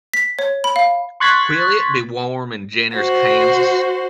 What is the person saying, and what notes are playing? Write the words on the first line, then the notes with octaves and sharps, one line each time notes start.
Will it be warm in Jenners Kansas?
B6
C#5
B5
F5
C6 C#6 F#6 G#6 A6 B6
F#4 C5